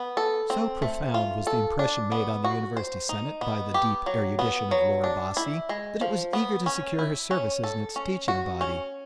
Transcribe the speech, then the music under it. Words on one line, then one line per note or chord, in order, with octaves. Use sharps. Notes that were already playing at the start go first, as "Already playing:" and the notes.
So profound was the impression made on the university senate by the deep erudition of Laura Bassi that it was eager to secure her services in its teaching body.
Already playing: B3
A4
C4
A3
F4
A4
D4
B3
F#4
C5
D#4
B3
G4
F#3
B3
F#3
D4
E4
G#3
F3
B3
C#4
E4
C#4
A4
C#4
F#4
C#4